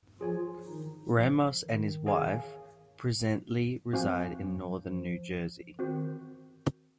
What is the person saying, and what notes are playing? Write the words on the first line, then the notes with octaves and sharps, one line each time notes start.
Ramos and his wife presently reside in northern New Jersey.
F3 F4 G#4 C#5 G#5
D#3 D#4
F3
D#3
G#4 C#5 F5 G#5
F3 C4 F#4 C5 F5 G#5
F#2 F#3
F3
D#3 C4 F#4 C5